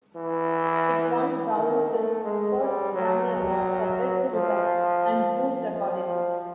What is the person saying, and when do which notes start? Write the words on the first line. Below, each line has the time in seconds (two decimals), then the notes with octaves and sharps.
It won Brown his first Grammy Award, for Best Rhythm and Blues Recording.
0.16 E3
1.54 D#3
1.90 A3
2.24 G#3
2.59 G3
2.93 F#3
4.33 F3
5.72 F3
6.06 F3